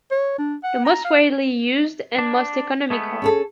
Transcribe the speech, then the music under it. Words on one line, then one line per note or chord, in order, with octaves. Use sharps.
The most widely used and most economical.
C#5
D4
F#5
A#5
F5
D4
G#3 A3 B3
C#4 G#4 A4